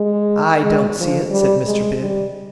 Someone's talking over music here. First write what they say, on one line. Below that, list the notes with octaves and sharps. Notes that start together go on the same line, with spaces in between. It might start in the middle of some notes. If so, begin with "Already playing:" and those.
"I don't see it," said Mr. Bib.
Already playing: G#3
G#3
F3
G3
G#3
G3